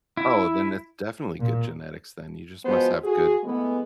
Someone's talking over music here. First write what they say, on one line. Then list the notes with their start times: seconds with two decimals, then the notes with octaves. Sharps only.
Oh, then it's definitely good genetics then. You just must have good,
0.17 E4
1.39 A#2
2.65 F3 G#3 B3 F#4 C5
3.04 F#4 G#4
3.44 E3 G#3 A3 B3